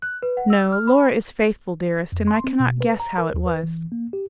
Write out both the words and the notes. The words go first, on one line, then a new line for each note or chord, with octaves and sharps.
"No, Laura is faithful, dearest, and I cannot guess how it was."
F#6
B4
F#5
E6
F6
B5
F2
C6
C4
B2
B4
A#5
A#4
D#2
B4
E3
A#3
G4